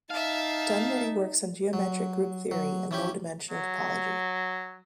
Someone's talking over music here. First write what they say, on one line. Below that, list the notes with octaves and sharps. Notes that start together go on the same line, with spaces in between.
Dunwoody works on geometric group theory and low-dimensional topology.
D#4 E5 F5 A5
F#3
F#3
E3 C#4 G4
F#3